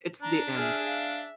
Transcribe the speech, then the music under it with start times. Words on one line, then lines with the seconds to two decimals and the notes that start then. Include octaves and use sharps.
It's the end.
0.22 D4 A#5
0.55 G#4 E5 F6
0.86 E5 F5